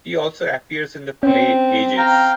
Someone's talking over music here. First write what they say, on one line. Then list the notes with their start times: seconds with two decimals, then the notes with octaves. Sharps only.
He also appears in the play "Agis".
1.23 C4 C#4
1.97 F5 G5 A#5